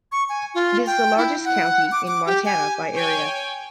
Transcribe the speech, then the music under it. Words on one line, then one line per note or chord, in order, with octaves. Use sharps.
It is the largest county in Montana by area.
C#6
G#5
F4
G5
E4
F#5
D6
D6
G4
G#5
C#5 G5 G#5